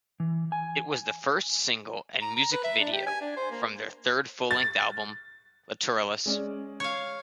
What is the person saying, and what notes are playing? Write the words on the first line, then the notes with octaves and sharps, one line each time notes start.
It was the first single and music video from their third full-length album, "Lateralus".
E3
G#5
A#5
A#5
B4
E5
D4
G4
G#5
D4
C5
A#3
A6
G#3 C#4 D5
C#5 F5